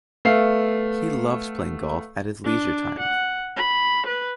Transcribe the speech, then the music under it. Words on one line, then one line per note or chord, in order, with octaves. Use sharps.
He loved playing golf at his leisure times.
A3 B3 F5 C7
D4
F#5
B5
B4